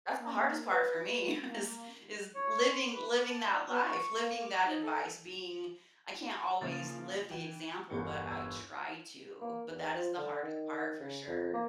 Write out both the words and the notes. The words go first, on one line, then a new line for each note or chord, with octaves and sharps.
That's the hardest part for me, is is living living that life, living that advice, being I can't always live the example, but I try to, but that is the hardest part, for sure.
A#3
B4
A#3
C#5
C6
B4
D6
A5
D4
B3
C#6
A#3
D6
D#4
A4
C#3 F3 A#3 A6
E3 G5
G1 E2 A#4 C#7
E6 G#6
A#3
E2
F3
D3
D#3
C#3
F2
A#3